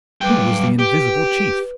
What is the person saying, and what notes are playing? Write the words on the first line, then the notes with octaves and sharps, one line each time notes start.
Who was the invisible chief?
F#2 G3 B4 G5 D6
G4 B4